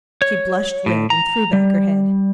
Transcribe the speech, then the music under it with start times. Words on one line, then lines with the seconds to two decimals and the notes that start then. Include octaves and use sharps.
She blushed red and threw back her head.
0.22 C#5
0.86 A2
1.10 A#5
1.53 G3